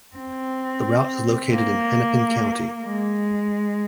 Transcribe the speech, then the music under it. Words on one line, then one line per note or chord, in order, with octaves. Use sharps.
The route is located in Hennepin County.
C4
A#3
G#3